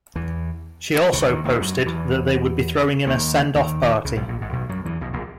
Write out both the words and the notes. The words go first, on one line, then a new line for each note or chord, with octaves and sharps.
She also posted that they would be throwing him a send-off party.
E2 E3
C#2 C#3
D#2 D#3
D#2 D#3
F#2 F#3
E2 E3
D#2 D#3
D#2 D#3
C#2 C#3
B1 B2
A#1 A#2
G#1 G#2
B1 B2
F#2 F#3
E2 E3
B1 B2
A#1 A#2